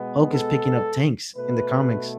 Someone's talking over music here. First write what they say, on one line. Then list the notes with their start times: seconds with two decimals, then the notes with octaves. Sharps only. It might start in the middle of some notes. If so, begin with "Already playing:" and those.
Hulk is picking up tanks in the comics,
Already playing: B2 G#3 B3
0.32 A4
1.34 B2 A3 B4